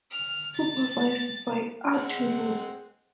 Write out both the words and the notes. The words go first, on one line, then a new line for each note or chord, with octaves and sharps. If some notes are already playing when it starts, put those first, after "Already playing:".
Supervised by Art Rupe.
F6
A6
G#3 C4 F#5